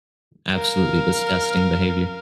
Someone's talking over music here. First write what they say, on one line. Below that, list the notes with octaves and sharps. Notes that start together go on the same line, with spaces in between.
Absolutely disgusting behavior.
A#4 F5